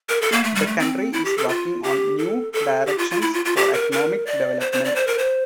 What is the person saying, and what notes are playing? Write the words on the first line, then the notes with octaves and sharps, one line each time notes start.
The county is working on new directions for economic development.
A#4
A4
A#3
A3
G3
A3
C4
E4
G4
A4
F4
G4
A4
A4
G4
F4
F4
E4
F4
F4
G4
A#4
A#4
D5
C5
C5
D5
C5
A#4
C5